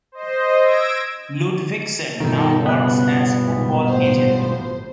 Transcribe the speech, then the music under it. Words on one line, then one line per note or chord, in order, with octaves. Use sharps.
Ludvigsen now works as football agent.
C5 D#5
E6 G#6 A#6 D7
G2 B2 D#3 F3 D#4 A4
C#3 B3 F#6
A#1 G#2
G#1 A2 C5